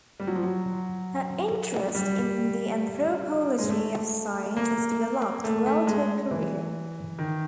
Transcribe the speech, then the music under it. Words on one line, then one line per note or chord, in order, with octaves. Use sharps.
Her interest in the anthropology of science has developed throughout her career.
G3
F#3
F3
F#3
G3
G#3
A3
A#3
A3
A3
G#3
E3
D#3